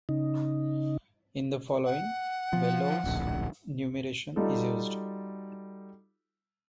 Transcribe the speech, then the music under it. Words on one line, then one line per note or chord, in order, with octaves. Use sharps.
In the following, Bellow's numeration is used.
C#3 D#4
F#5
F3
D1 A#1
G3 D#4 F4 F#4 A4